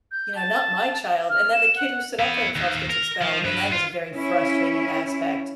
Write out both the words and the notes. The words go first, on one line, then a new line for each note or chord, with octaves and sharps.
you know, not my child, and then the kid who stood up for themselves gets expelled, and that is a very frustrating aspect.
G6
A5
F6
E7
F#5
B3 E4
D#2
A#4
F3
G2 B4
F4
C#4 E4